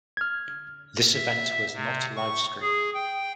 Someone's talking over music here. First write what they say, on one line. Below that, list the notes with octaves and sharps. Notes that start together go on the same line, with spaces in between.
This event was not livestreamed.
F6 G#6
E5
C3
C#6
G#4
G5